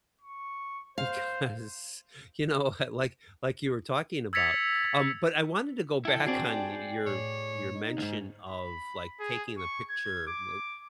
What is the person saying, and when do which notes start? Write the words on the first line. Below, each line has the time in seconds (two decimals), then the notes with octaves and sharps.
because, you know, uh, like like you were talking about. Um, but I wanted to go back on y your your mention of, like, taking the picture, th
0.21 C#6
0.98 C5 F5
4.33 E6 G#6 A6 B6 C#7 F7
6.05 E4 A4 G5
6.27 C4 D4 F#4 G#4 D5 G5
7.06 A2 C#5
7.75 D#4
7.98 D2 G#2
8.47 B5
9.20 G#4
9.58 C#6
9.90 G#6
10.27 D6